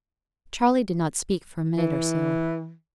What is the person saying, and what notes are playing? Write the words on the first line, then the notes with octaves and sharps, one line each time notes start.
Charley did not speak for a minute or so.
E3